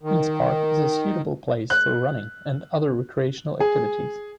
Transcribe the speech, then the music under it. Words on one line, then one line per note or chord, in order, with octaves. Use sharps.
Queens Park is a suitable place for running and other recreational activities.
D#3
F#6
G#4